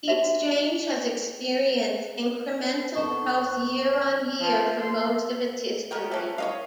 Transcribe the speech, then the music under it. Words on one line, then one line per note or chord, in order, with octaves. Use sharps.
The Exchange has experienced incremental growth, year-on-year for most of its history.
D#4 F#4 G4 E5
F2 B3 A4 A5 C#6
F3
C6
B3 A#4 G5
A3 C#4 B4
C#5 D#5 F5